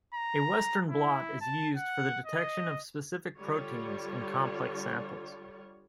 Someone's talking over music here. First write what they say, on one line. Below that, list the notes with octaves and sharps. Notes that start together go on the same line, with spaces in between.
A Western blot is used for the detection of specific proteins in complex samples.
A#5
E4
A5
F#5
D#5
D3 G3 F4 C#5